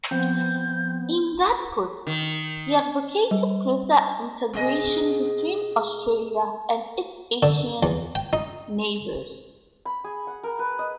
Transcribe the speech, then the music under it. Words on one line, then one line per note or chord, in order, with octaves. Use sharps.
In that post, he advocated closer integration between Australia and its Asian neighbours.
F3 B3 C4 G6
D#3
G3
B2 G#4 D#5
D3
E2
G5
D#4
B5
G#4
F#5
A#4
B4
D#5